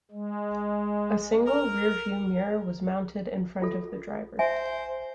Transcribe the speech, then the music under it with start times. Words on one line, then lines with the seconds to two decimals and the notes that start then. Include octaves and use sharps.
A single rear view mirror was mounted in front of the driver.
0.11 G#3
1.46 A#4
3.62 F4 A4
4.39 C5 E5 G#5